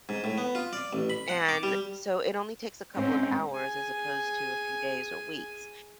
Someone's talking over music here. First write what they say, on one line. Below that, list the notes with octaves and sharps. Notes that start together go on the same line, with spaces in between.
And so, it only takes a couple of hours as opposed to a few days or weeks.
G#2
A2
B3
F4
D5
A1
B5
F#5
D6
G3
G#2 G#3 C4 C#4
G#4 G#5